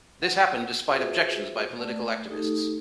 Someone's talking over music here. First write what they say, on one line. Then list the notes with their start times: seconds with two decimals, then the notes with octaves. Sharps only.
This happened despite objections by political activists.
0.22 F#5
0.87 F4 F#4 G#4 B4 C5 E5
1.76 A3 D5
2.28 A3 D#4 G4 A4